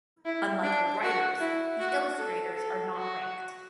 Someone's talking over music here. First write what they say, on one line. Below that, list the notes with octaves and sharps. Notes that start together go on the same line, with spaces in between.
Unlike the Writers, the Illustrators are not ranked.
E4
D4
F#4
E4
F#4
A4
A4
F#4